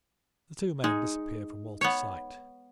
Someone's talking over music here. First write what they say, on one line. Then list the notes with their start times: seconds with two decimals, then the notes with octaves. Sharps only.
The two men disappeared from Walter's sight.
0.84 G#3 D#4
1.81 B3 C#5